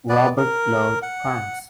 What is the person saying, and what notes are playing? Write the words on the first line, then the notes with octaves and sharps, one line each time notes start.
Robert loved pranks.
B3 B4 D5
A#4
F#5